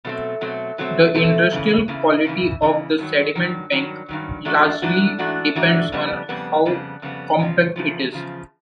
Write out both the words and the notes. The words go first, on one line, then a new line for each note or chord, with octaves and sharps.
The industrial quality of the sediment bank largely depends on how compact it is.
B2 F#3 A3 C4
B2 F#3 A3 C4
B2 F#3 A3 C4
B2 F#3 A3 C4
E2 C#3 E3
E2 C#3 E3
E2 C#3 E3
E2 C#3 E3
G2 D#3 F#3
G2 D#3 F#3
G2 D#3 F#3
G2 D#3 F#3
G#2 E3 A3 D4 F#4
G#2 E3 A3 D4 F#4
G#2 E3 A3 D4 F#4
G#2 E3 A3 D4 F#4
F2 C#3 G3 B3
F2 C#3 G3 B3
F2 C#3 G3 B3
F2 C#3 G3 B3
E2 C#3 F3
E2 C#3 F3
E2 C#3 F3